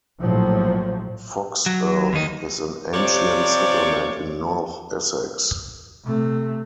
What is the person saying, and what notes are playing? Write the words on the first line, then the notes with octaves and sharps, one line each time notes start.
Foxearth is an ancient settlement in north Essex.
A#1 A2 F3 F#3
F#3
D#2 D#4
C3 F3 G4 C#5 D5
C3 A3